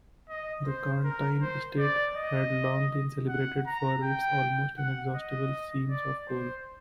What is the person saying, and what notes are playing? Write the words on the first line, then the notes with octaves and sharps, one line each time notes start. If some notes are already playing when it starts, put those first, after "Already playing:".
The Carntyne estate had long been celebrated for its almost inexhaustible seams of coal.
D#5
C5
A#4
C5
D5
D#5
F#5
A#5
G5
F#5
D#5
D5
C5